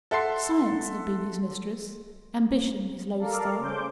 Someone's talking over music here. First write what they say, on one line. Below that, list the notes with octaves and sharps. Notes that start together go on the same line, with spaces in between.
Science had been his mistress; ambition his lode-star.
A4 E5 F#5 A5 C6 C7
A4 A#4 D5 F5
C#3 C#4 C5 D6 G6